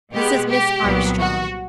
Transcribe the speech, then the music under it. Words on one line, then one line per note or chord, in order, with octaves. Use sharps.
This is Miss Armstrong.
B2 G#3 B3 G4
G4
C2 A#2 F#3 B3
F#4